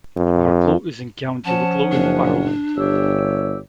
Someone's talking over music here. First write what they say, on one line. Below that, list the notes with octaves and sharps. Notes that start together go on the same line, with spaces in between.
Arklow is in County Wicklow in Ireland.
F2
F3 C#4 F#5 A5
F#1 D4
G1 G4 C#5 E6